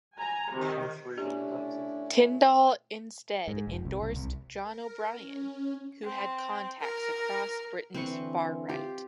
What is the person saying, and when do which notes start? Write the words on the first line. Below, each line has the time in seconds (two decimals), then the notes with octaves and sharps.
Tyndall instead endorsed John O'Brien, who had contacts across Britain's far-right.
0.16 G#5 A#5
0.52 C3 D#3
1.18 A3 C#4 D4 E4 G4
3.48 G#2
3.67 F1
3.85 C2
4.02 C2
4.16 C2
4.62 A#4
5.15 C#4
6.03 C4
6.80 A#4
7.94 D3 E3 C4 B4 C#6
8.69 F4 G4